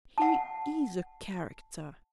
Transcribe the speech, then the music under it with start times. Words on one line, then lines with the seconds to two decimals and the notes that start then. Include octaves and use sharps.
"He is a character!"
0.18 F#5 A5